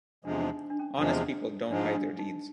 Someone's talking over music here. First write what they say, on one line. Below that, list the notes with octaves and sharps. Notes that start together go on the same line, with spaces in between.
Honest people don’t hide their deeds.
E2 C3 F3 G#3 D4
D4
D#4
D4
C#4
E2 C3 F3 G#3 D4
G#2 F3 G#3 D4
D4
D#4